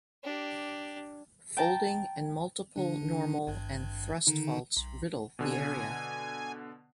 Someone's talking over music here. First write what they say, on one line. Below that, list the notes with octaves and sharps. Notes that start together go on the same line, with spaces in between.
Folding and multiple normal and thrust faults riddle the area.
D4 G4
G5 A5 A#5
D3 D4
G#1 G2
D3 D#3 D#4
B1
B2 D3 G#5